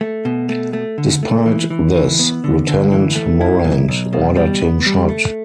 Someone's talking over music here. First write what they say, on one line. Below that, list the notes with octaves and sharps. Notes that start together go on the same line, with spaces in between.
Despite this, Lieutenant Morant ordered him shot.
A3
B2
A3
A3
D3
A3
E3
E3
E3
B3
D3
D3
E3
A3
E4
B1
B1
B2
G3
B3
G3
A3